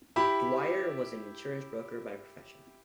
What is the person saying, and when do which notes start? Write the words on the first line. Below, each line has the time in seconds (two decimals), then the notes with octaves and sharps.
Dwyer was an insurance broker by profession.
0.16 E4 G4 B5